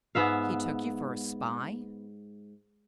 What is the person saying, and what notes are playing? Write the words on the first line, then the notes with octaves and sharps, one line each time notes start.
"He took you for a spy?"
G#2 B3 E5 F5